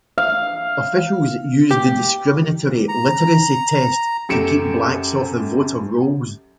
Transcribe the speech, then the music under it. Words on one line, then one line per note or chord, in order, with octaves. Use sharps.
Officials used the discriminatory literacy test to keep blacks off the voter rolls.
F5
G4
A#5
F#2 A3 G4 C#7 D7 E7